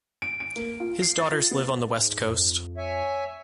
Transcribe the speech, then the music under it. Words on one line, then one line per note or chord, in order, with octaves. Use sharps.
His daughters live on the West Coast.
D7
D7
A#3
F4
C7
A6
F4
B3
G#2
F2
C#5 E5 G#5